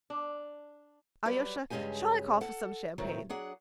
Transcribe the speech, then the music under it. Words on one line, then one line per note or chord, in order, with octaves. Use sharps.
Alyosha, shall I call for some champagne?
D4
F#3 G3 B4 D5
G2 C#3 G#3 C#4 G4 G#5
A4 F#5
A2 D#3 F#3 A3 C4
F#3 D4 G#4 F#5